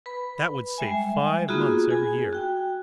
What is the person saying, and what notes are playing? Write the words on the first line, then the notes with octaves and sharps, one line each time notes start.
That would save five months every year.
B4 B5
G3 G#3 E5 G#5
A#3 B3 D#4 F4 F#4 G#4
G#4 G#5
F#4 G5